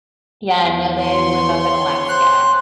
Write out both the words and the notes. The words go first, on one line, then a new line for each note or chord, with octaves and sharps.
Yeah, no, they live up in Alaska.
E2
C#5 C6 C#6
C5 F#6